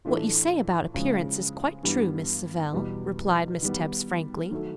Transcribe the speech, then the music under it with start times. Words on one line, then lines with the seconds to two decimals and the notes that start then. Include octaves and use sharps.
"What you say about appearance is quite true, Miss Savell," replied Miss Tebbs frankly.
0.05 A2 E3 A3 D4 F4
0.94 C#3 F3 G#3 C#4
1.83 G2 E3 G3 B3
2.72 E2 B2 G3
3.62 D#3 G3 B3
4.51 D#3 F#3 A3